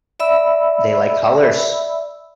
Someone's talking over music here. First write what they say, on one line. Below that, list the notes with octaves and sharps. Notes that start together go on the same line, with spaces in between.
They like colors.
D5 E5 B5 E6